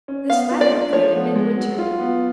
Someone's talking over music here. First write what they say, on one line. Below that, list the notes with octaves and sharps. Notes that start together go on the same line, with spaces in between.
This latter occurred in midwinter.
C#4
B3 F5
F4
D5
D4
F3 C#5
B3
G#3
F#3
F4
B3